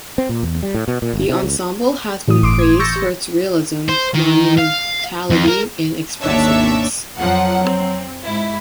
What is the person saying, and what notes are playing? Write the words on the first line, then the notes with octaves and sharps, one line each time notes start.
The ensemble has been praised for its realism, monumentality and expressiveness.
C4
A#2
E2
G3
A2
B2
A#2
G1
C3
C#2
A2 E3 A3 D#6
G1 C6 D6 D7
G#6
C#6 E6 G6 A6 A#6 C#7
G3
C5
D#3
F5
F2
A#4
G#1 D#2 D4 C#5 E5 A5
F2 F3 F#3 F#5
C4
G#2 E4